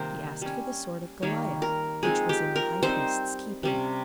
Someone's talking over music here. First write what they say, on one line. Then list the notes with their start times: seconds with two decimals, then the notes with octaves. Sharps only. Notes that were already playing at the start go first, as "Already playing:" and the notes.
He asked for the sword of Goliath, which was in the High Priest's keeping.
Already playing: C3 D#3 G3 A#3 A#4 C5
0.42 G3 C#4
1.22 D#3 G3 A#3 D#4 C#5
1.62 A#4
2.03 F3 G#3 C4 D#4 G#4
2.29 G4
2.56 A#4
2.83 G3 C4 D#4 C5
3.63 C3 G3 C#4